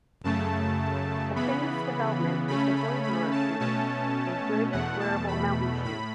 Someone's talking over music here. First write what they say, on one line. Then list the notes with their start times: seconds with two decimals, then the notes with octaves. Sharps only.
A famous development is the "Goiserer Schuh", a good wearable mountain-shoe.
0.24 F#2 C#3 A3 A5
1.36 C#3 E3 B3 B5
2.48 C#3 A3 C#4 B5
2.76 B5
3.03 B5
3.31 A5
3.60 B2 A3 C#4 A5
4.72 E2 B2 A3 F#5
5.00 A5
5.28 B5
5.84 A2 B5